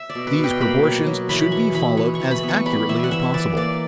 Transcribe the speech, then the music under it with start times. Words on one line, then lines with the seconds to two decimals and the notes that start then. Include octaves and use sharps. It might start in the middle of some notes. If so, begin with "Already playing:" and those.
These proportions should be followed as accurately as possible.
Already playing: E5
0.10 D5
0.15 B2
0.27 B4
0.38 B2
0.44 G5
0.60 A#3 B5
0.84 F#3
1.06 F#3
1.29 E3 B5
1.51 E3 C#6
1.75 E3 B5
1.97 E3 C#6
2.15 C#6
2.20 E3
2.31 B5
2.43 B3
2.49 C#6
2.66 G3 B5
2.89 E3 E5
3.04 F#5
3.11 E3 E5
3.34 E3 D5
3.57 A#3 D5